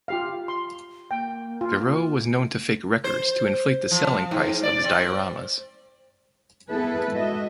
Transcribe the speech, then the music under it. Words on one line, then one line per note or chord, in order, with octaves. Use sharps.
Verreaux was known to fake records to inflate the selling price of his dioramas.
F4 G4 F5
C6
A#3 G5
F4
C5
F3
G#2
D5
C4
B3 E4 G#4 A4 B4
G#2 F#4 D#5 E5